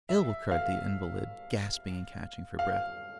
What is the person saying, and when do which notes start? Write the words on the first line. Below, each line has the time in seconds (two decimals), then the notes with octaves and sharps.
'Ill!' cried the invalid, gasping and catching for breath.
0.09 E5
0.51 F5
2.59 F5